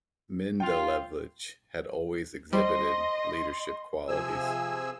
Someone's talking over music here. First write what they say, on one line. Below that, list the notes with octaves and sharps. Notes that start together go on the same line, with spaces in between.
Mendelevitch had always exhibited leadership qualities.
F4 G5
G3 C5 D#5 C6
C3 F3 G#4 G#5 E6